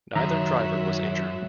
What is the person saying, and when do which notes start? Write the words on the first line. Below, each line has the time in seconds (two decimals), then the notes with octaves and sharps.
Neither driver was injured.
0.16 F#2 D#3 F#4 C#5 E5 A#5